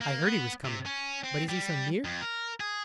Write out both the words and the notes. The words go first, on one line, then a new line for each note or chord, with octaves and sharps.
"I heard he was coming, but is he so near?"
A#3
B3
C3
C#4
C4
G3
F2
A#4
G#4